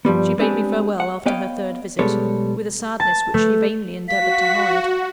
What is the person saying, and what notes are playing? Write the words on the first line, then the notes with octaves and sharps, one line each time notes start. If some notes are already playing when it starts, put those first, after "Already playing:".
She bade me farewell after her third visit, with a sadness which she vainly endeavoured to hide.
G2 F3 G3 B3
G#3 B3 C4 D4 G4 G#4
F#5
B3 C#5 D#5 F5 G5
B1 G3 G#3 B3 A4 C#5
A5
A3
F#4 F5 B6